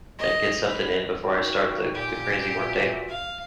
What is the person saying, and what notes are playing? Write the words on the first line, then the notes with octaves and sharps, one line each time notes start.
and get something in before I start the the crazy workday.
D#5
B4
D#4 F#4 G5
A#2 G4
F4 F#4 E5
F5